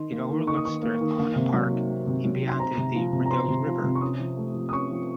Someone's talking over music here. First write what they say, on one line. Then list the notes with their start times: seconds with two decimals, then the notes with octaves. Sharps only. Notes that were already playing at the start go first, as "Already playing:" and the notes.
It overlooks Strathcona Park and beyond it the Rideau River.
Already playing: D#3 D#4 C6
0.12 A#3
0.30 D#3
0.47 D#4 C#6
0.56 D#6
0.65 D#3 C#6
0.83 A#3
1.01 D#3
1.18 A#3
1.36 C3
1.53 F#3
1.71 D#4
1.89 A#3
2.07 C3
2.25 F#3
2.42 D#4
2.50 C6
2.59 C4 A#5
2.78 C3
2.96 F3
3.13 C3
3.26 A#5
3.31 C4 C6
3.48 C3
3.66 F3
3.84 C3
3.95 C#6
4.01 C#4 D#6
4.19 F3
4.37 A3
4.54 F3
4.69 D#6
4.72 C#4 C#6
4.91 F3